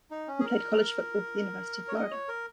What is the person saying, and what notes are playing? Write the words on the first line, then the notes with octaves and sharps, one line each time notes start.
He played college football for the University of Florida.
D#4
C#4
G#4
A#4
C#5
D#5
C#5
A#4